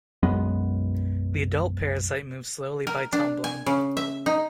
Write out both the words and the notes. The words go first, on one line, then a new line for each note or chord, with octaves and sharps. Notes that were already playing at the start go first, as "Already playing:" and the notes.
The adult parasite moves slowly by tumbling.
B1 F#2 G#3 B3
A#4
D4
G#5
C#3
E5
D#4